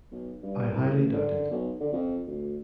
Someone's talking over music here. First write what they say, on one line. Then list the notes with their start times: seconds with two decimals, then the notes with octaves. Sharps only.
I highly doubt it.
0.12 B1
0.43 G2
0.73 C2
0.92 A1
1.13 D3
1.51 B1
1.80 D3
1.93 F2
2.27 D2